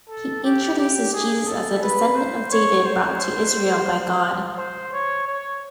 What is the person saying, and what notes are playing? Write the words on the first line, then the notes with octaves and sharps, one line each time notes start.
He introduces Jesus as a descendant of David brought to Israel by God.
A4
G4
G4
G#4
A4
B4
C5
C#5
C5
C5
C#5
C#5